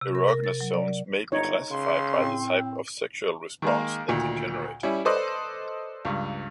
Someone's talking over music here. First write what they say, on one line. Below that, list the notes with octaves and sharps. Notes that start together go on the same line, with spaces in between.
Erogenous zones may be classified by the type of sexual response that they generate.
C3
A#4
A#4
A6
F#3
D5
G1 D#4 C#5
C#3 C6
A2 C4
D#3 G#3 A#3
D2 A#2 D#3
G3 C#4 E4
A4 B4 C5 D5 D#5
C#2 G2